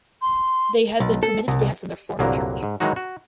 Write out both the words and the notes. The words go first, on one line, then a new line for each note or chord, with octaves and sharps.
They had been permitted to dance in their former Church.
C6
B1
A4
C2
C2 G2 A#2 D3 F#3 A#3
G#2
D#3 E3 F#3 G#3 D#4 F#4
F#4